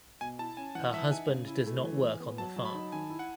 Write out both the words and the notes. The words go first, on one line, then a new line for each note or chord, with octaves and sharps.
Her husband does not work on the farm.
B2 G#5
E4 A5
C#4 G#5
E3 F#5
E3 E5
D#4 G#5
C#3
E4
A3
E3
E3
B3
F#3 A5
F#3
B5
D#4
D#3 G#5
E4
F#5